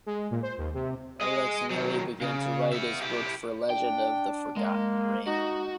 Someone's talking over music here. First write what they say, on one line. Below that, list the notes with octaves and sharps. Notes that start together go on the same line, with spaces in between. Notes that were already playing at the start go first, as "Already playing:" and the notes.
Alex Mele began to write his book for "Legend Of The Forgotten Reign".
G#3
A#2
C5
D#2
C3
G#4 D#5
D#3 F#3
C#3
B3 E5
E4 G4
D4 G5
G#3 A#3
D#4 F#4